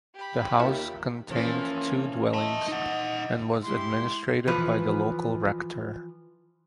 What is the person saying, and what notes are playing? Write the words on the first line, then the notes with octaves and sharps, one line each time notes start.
The house contained two dwellings and was administrated by the local rector.
G4 B5
D#2 F4 C#5 E5
E3 F3 A#3 C#4
D#5 E5 A5
D#4 F#5
G#3 E4 G4 C6
E3 F3 B4